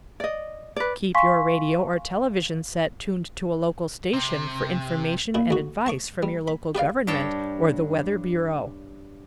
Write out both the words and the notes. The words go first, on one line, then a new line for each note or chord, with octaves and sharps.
Keep your radio or television set tuned to a local station for information and advice from your local government or the Weather Bureau.
D5 D#5
B4 D5
F5 G#5 C6 C#6 B6
C3
A#2 E4
D2 F#4
A5 C#6 D6
G3
B5
G4 B4 D5 F5
G2 C#5 G5 A5